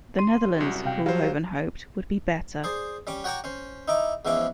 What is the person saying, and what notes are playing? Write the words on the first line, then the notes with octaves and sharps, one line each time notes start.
The Netherlands, Koolhoven hoped, would be better.
C6 D#7
C2 F#2 F#4
C3 F5 G5
F#3 G4 C5 F5
G#4 C5 D5
G3 C#4 D6
F#4 C#5 G5 A#5 C#6 D6
C#4 C5
D#4 E4 A#5 D6
E2 G#2 F3 C#4 E4 D6